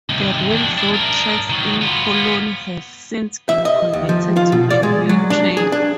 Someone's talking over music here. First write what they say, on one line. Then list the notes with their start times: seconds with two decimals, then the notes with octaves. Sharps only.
The railroad tracks in Colony have since been converted to a rail trail.
0.09 D#2 C3
0.51 E2 D4
0.78 D4 E4
0.94 D4 A#4
1.50 D#3 F#3
1.82 B3 F4
3.49 E5
3.65 D#5
3.93 D#2
4.09 F3
4.36 F4
4.52 B2
4.70 D5
4.83 G#3
5.09 F#3
5.30 D4
5.57 G#4
5.72 D4